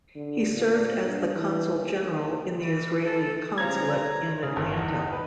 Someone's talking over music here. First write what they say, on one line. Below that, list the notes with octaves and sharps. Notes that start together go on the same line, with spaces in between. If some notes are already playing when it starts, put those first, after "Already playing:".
He served as the Consul General in the Israeli Consulate in Atlanta.
D3
A#2
G2
E3
D#2
E3
A4
C#3 F3 A#5 G#6
C#3
G1
E2
D#4
B4